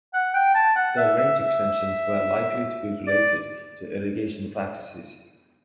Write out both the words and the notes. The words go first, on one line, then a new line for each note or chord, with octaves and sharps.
Their range extensions were likely to be related to irrigation practices.
F#5
G5
A5
F#5
E5
E5
E5
D5